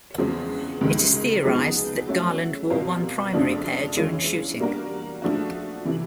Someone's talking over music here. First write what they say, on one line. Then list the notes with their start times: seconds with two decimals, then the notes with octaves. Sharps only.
It is theorized that Garland wore one primary pair during shooting.
0.18 E2 C#3 F3 G#3 C4
0.81 C#2 C3 D#3 G#3
1.44 F3 G#3 B3 D#4 G#4
2.07 F#3 A3 C#4 F#4
2.70 B2 G3 C4 F4 A#4
3.33 F2 C#3 F3 A3 D4
3.97 E3 G#3 C#4 F4
4.59 G3 A#3 D4 F#4 A#4
5.22 F3 A3 D4 F#4
5.85 C3 E3